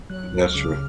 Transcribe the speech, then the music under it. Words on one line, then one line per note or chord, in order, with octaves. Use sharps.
That's true.
F#3 F#6
C#2
F6
C#3 D6
F6